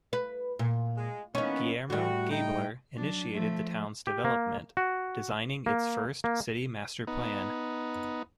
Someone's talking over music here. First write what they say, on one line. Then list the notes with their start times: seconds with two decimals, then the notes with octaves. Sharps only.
Guillermo Gaebeler initiated the town's development, designing its first city master plan.
0.13 B4
0.59 A#2
0.97 G#3
1.35 E3 A#3 B3 C#4 D#4
1.90 A2 G3 F#4
2.31 D#4 G5
2.96 F#3 D4
3.34 F3 A3
4.07 G4
4.25 A#3
4.77 F#4
5.66 A#3
6.24 A#3
7.07 B3 D#4